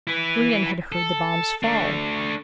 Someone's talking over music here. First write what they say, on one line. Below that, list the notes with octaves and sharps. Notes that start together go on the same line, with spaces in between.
Brion had heard the bombs fall.
E4 B4
A4
A3 D4